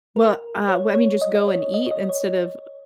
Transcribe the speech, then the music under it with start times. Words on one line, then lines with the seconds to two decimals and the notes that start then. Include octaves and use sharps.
Well, uh Well, I mean, just go and eat instead of
0.16 A#4
0.69 C#5
0.95 C#5
1.21 D#5
1.35 D#5
1.48 C#5
1.74 D#5
1.86 C#5
1.91 D#5
2.09 C#5